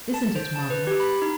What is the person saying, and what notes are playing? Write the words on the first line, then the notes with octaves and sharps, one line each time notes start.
Isn't it, mother?'
A5
C5
A5
B4
G4
B5
D#4